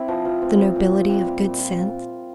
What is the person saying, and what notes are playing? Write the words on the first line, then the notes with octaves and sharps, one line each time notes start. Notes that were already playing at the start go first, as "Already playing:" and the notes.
The nobility of good sense.
Already playing: C4 E4
F3
F3
C4
C4
A#2
F4
G3
C4
A#2
F4